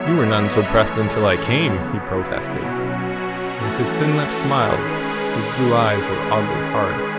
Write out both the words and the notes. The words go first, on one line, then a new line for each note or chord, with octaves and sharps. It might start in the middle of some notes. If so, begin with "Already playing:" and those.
"You were none so pressed until I came," he protested, and if his thin lips smiled, his blue eyes were oddly hard.
Already playing: A2 F#3 B3 C#5 E5
B4 D#5
A2 E3 G#3 C#4 A4 C#5
C#3 F#3 B3
E4
B2 F#3 C#4 F#4
E3 A3 C#4 F#4 A4
D#3 G#3 C#4 G#4 B4